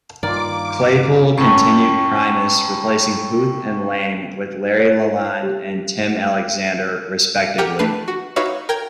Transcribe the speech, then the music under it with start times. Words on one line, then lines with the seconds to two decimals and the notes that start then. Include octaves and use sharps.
Claypool continued Primus, replacing Huth and Lane with Larry LaLonde and Tim Alexander, respectively.
0.23 G2 D#3 A#3 F4 D5 D6
1.38 F#2 A2 G5 C#6
4.79 C#5
5.43 G4
7.58 G4 A#4 F#5 G5
7.79 A3 D4 B4 C7 D#7
8.08 F#4
8.36 D#4 F#4 B4 C#5 E5 F5
8.69 A#4 G5 G#6